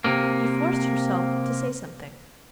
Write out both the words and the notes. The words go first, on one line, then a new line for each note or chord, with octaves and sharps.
She forced herself to say something.
C3 A#3